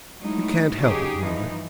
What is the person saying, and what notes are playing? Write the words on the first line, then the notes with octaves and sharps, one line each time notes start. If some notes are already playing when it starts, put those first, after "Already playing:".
'You can't help it, mother.
F#3 G#3 A3 D#4 E4
C#3 F#3 D#4 G4 G#4
G2 E3 F3 D#4